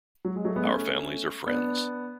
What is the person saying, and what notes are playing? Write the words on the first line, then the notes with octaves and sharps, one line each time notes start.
Our families are friends.
F#3
G#3
F#3 A3
G#3 B3
A3 C#4
B3 D4